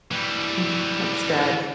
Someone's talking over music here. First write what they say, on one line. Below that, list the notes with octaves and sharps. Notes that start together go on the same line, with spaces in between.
Mhm. That's good.
E3 G3